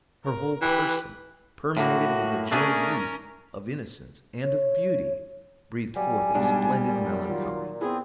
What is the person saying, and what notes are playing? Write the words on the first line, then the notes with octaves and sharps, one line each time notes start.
Her whole person, permeated with the joy of youth, of innocence, and of beauty, breathed forth a splendid melancholy.
A#4
E3 G4 B4
A2 A#3 F#4
A3 C#4 D4 G#4 A#4
C#5
F#3 G3 G#5
B1 G#2 B2 G3 D4
A#2
D#3 F#3 F4
B3 C4 E4 G#4